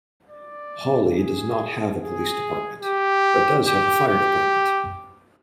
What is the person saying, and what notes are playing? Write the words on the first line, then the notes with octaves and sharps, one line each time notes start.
Hawley does not have a police department, but does have a fire department.
D5
G#4
G#4
G4
G4
G4